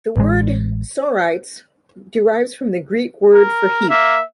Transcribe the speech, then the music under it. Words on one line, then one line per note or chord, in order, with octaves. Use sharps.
The word "sorites" derives from the Greek word for heap.
A1 G#3
A#4
A#3 E5